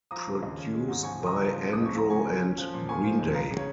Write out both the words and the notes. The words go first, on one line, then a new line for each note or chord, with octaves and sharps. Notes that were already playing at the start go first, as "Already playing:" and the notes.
Produced by Andro and Green Day.
F3 A#5 D#6
C#3
D#2
C#4
G#3
G#2
F3 G#5 C#6
C#3
A#5 D#6
C#2
F3
C#3
D#6
F2
C#6
F3 A#5
C#3 G#5 C#6
F2
C#4
F3
A#2
A#3 G#5 C#6
F3
F2
G#3 F5 A#5
C#3
C#5